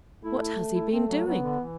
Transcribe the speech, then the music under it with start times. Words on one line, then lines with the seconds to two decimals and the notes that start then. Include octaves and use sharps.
What has he been doing?
0.23 A3 E4
0.40 E4
0.75 E4
0.92 A3 C4
1.09 F#3
1.26 F#3 B3
1.43 D3
1.60 E3